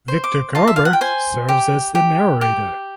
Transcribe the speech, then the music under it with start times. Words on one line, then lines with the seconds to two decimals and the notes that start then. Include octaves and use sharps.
Victor Garber serves as the narrator.
0.08 C5
0.24 D6
0.55 F4 A5
0.68 E5
0.76 F5
0.85 F#5
0.93 G5
1.01 C5 G#5
1.49 G4
1.95 G4
2.41 G4